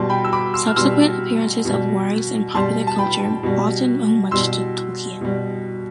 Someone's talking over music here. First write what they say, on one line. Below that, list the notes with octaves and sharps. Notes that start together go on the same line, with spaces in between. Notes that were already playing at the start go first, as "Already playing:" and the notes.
Subsequent appearances of wargs in popular culture often owe much to Tolkien.
Already playing: B2 G3 A5 C6
G5 B5
E6
B5 D6
C6 E6
F6
B2 G3 C6 E6
B2 G3
B2 G3 A5 C6
A5
G5 B5
B2 G3
B2 G3 C6 E6
B2 G3